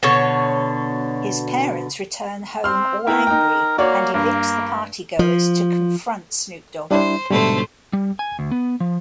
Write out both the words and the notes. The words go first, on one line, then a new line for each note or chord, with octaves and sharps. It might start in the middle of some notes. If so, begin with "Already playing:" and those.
His parents return home all angry and evicts the partygoers to confront Snoop Dogg.
B2 D3 C#5
C4 C6 F6
B3 E4 A#4 G5
D#4 G5
A#3 F#4 C#5 D5
G2 A#3
F3
G3 D4 E4 C5
G#2 B2 D3 G3 A3 C5
G3
G#5
D2
B3
F3